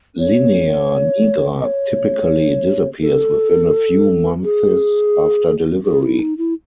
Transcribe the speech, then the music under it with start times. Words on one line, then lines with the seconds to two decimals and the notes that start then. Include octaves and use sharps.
Linea nigra typically disappears within a few months after delivery.
0.19 C#5
1.61 D#5
1.65 C#5
3.02 A4
4.44 G#4
5.85 G#4
6.03 E4
6.21 D#4
6.38 E4